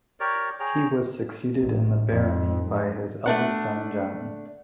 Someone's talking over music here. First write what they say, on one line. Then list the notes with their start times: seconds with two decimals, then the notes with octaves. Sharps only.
He was succeeded in the barony by his eldest son Johnny.
0.20 G4 A#4 C#5 D5
0.60 G#4 C#5 G5 A#5
1.60 A1
2.09 F2
2.71 G#2
3.26 A3 D4 F#5